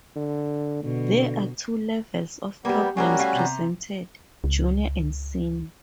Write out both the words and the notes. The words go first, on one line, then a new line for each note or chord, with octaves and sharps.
There are two levels of problems presented, Junior and Senior.
D3
B2 D3
G3 A#3 B3 G4
G3 G#3 A#3 C#4 F#4 A#4
A3 F5 G#5
C3 A#5
C#2